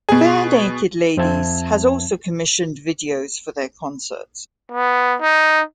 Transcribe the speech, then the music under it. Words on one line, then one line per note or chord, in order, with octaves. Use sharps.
Barenaked Ladies has also commissioned videos for their concerts.
B2 G#4
F2 F3 C4 E5 A5 G#6
B3
D#4